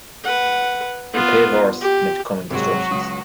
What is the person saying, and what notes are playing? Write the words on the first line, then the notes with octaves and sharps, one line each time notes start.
The pale horse meant coming destructions.
B4 F#5
B3 F4
G4
G#1 C3 F#3 G#3 F#4
C#2 D#6